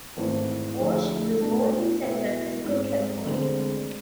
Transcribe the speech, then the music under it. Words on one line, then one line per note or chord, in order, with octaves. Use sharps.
Walsh was born in San Francisco, California.
G#1 G#2 E3 A3 C4
F2 D3 A3 E4 G#4
B2 A3 D4 A4
B2 B3 E4
G#2 G#3 C4
E1 D2 D3 G#3 C4